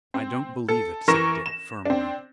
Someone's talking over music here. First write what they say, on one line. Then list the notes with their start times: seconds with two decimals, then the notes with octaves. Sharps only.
"I don't believe it," said Dick, firmly.
0.14 C4
0.69 A4
1.08 E3 A#4 C#6 A#6 E7
1.46 E7
1.85 C4 D4